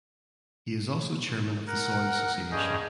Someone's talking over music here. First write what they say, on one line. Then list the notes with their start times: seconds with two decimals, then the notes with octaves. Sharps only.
He is also chairman of the Soil Association.
1.67 A#4 F#5
2.51 G2 C#4 G#4 D#5 G5